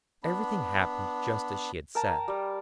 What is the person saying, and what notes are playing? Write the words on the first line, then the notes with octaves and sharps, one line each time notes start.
Everything happened just as she had said.
B3 D4 B5
A#4 G5 A5 A#5
G3